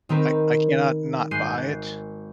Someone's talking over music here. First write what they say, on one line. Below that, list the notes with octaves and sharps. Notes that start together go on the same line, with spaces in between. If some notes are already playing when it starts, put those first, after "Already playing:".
I I cannot not buy it,
D#3 C4 A#4 B4
G#1 G#3 F#6 G6 C7 D#7